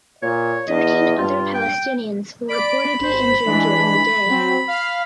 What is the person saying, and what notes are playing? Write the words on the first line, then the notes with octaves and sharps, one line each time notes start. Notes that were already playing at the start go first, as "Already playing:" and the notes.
Thirteen other Palestinians were reportedly injured during the day.
A#2 C#5
E2 D#5
G2 F4
G5
D5 B5 D7
G#1 C5
E3 G#3 D4
F#3 C4
F5